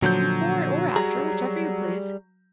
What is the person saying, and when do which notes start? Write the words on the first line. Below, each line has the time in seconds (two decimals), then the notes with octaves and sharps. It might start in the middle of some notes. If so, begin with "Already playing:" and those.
"Before or after, whichever you please."
0.02 A#2 D3 F3 F#3 G6
0.96 G3 G#4 A#5